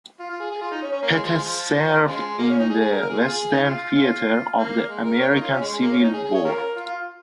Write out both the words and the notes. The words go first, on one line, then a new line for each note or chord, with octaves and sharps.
Pettus served in the Western Theater of the American Civil War.
F4
F4
G#4
G#4
F4
D#4
C#4
C#4
A#3
G#3
F3
G#3
F3
C#3 F3 G#3
A#3
C#4
D#4
G#4
G#4
A#4
A#4
G#4
F4
G#4
D#4
F4
G#3 C#4 F4
A#3
G#3
A#4
C#5
A#4
D#4
F4
C#4
G#3
G#3
A#3
C#4
D#4
G#4
G#4
C#5
C#4 F4 A#4
F4
F4